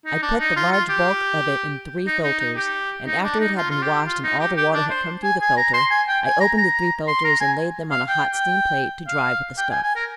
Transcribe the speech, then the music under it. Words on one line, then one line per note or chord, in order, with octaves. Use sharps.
I put the large bulk of it in three filters, and after it had been washed and all the water had come through the filter, I opened the three filters and laid them on a hot steam plate to dry with the stuff.
D#4
D4
D#4
F4
F4
G4
D#4
D#4
D#4
G4
D#4
D4
D#4
F4
F4
G4
F4
D#4
G4
G4
D4
C5
G#5
G#5
A#5
C6
G#5
G5
G#5
A#5
A#5
C6
A#5
G#5
F5
G5
G5
F5
G5
G#5
G#5
A#4